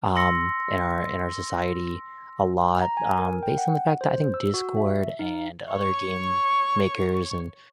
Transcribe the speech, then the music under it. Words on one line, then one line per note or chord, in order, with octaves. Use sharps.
um, in our in our society a lot, um, based on the fact that I think Discord, and other game makers, and,
C6 E6 A#6 C#7
A#5
G#5
A#4
G5
F#5
C5
E6
F#4
E5
D#4
C#5 C#6